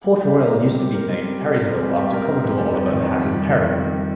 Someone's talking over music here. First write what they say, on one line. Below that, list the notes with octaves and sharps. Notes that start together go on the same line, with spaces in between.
Port Royal used to be named Perrysville, after Commodore Oliver Hazard Perry.
G3
G4
A#4
C4
G3
G4
A#4
C4
G3
G4
A#4
C4
G3
G4
A#4
C4
F2
G3
F2
D#3
F2
G3
F2
D#3
F2
G3